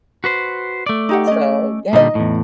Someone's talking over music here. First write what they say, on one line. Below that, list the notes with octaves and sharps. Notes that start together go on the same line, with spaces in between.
so, yeah, you could
F#4 B4 C5
A3 D5
D#4 G4 F#5
C#4 D#5
A#2 D3 G3 D#4 D#5
E2 A2